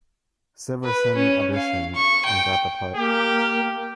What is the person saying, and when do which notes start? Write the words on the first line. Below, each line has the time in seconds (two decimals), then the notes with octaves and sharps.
Siversen auditioned, and got the part.
0.84 B4
1.15 C#4
1.55 F5
1.95 C#6
2.25 G5
2.96 A#3 G4